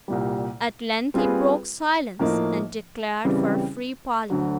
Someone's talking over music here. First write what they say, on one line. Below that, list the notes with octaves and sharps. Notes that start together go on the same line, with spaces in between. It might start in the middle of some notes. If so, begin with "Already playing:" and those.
At length he broke silence, and declared for a free Parliament.
C2 A#2 G3
G3 C4 F4 G#4 B4
A2 F3 A#3 D#4
C#3 E3 G3 C4
D2 D3 F#3